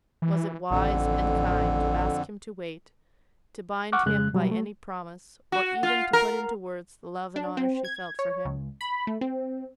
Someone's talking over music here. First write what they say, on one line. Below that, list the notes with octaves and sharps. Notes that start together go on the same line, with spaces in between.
Was it wise and kind to ask him to wait, to bind him by any promise, or even to put into words the love and honour she felt for him?
E3
A1 F2 D3
F#5 C#6 D6 F6 F#6
F2 C#3 G#3 F#6
B2 F#3 G3
A3
F#4
F4
A#4
D4
C4
G#6
C#5
C#2
B5
A3
C4